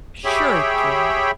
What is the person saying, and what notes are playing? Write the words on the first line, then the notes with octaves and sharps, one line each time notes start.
Sure it can.
G4 G#4 C#5 E5 G5 B5